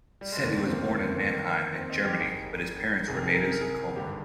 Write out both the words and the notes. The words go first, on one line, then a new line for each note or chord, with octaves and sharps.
Cetti was born in Mannheim in Germany, but his parents were natives of Como.
G3
G#3
F1 D#2 D3 A#3
C4
A#3
C4
D#2 D#3
C4
D#4
G4
G#1 G#2 D#3 G#4
C2 C3 D#3 G#4
A#4
G#4
A#4
G#4
A#4
G#4
G#1 G2 D3 G4